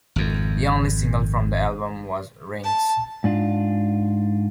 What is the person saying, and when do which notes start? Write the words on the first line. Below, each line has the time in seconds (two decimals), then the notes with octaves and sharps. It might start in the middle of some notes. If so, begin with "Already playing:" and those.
The only single from the album was "Rings".
0.16 G#1 F2
2.63 A5
3.24 G#2 D4 F4